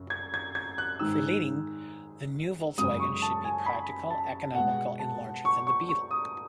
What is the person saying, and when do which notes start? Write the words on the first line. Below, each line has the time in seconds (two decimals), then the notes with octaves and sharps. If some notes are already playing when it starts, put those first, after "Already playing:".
For Leiding, the new Volkswagen should be practical, economical and larger than the Beetle.
Already playing: F#2 C#3
0.10 G#6
0.34 G#6
0.55 G#6
0.78 F#6
0.99 G#2 D#3 G#3 E6
2.78 F#2 C#3 G#3 D#6
3.00 C#6
3.22 A5
3.45 G#5
3.66 B5
4.11 A5
4.55 B2 G#3 F#5
4.99 A5
5.45 C#6
5.67 C#6
5.89 C#6
6.11 D#6